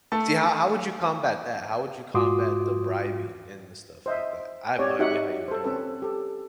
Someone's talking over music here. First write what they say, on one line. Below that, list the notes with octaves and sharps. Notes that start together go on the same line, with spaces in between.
See, how how would you combat that? How would you combat the bribing and the stuff like that? I have no idea how you would do that.
A3 A5
G#2 F4 F#4 C6 D6 D#6
C5 D#5 E5
C4 G4 C#5 D5
D#4 F#4 G4 E5 F#5
A4 C5
C4 C#4 A4 B4
G4 A4